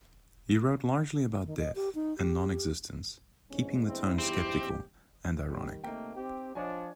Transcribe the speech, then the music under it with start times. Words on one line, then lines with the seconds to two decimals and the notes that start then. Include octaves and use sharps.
He wrote largely about death and non-existence, keeping the tone sceptical and ironic.
1.46 D#3
1.59 D#5
1.76 G4
1.95 D#4
2.18 G4
3.50 G1 E2 G#2 C#4
3.87 C4 E4
4.18 C4 G4
5.50 D#3 G3
5.84 C3 A3 A#3 D#4 G5
6.16 C4 G4
6.55 F3 D4 C#5 D#5 G#5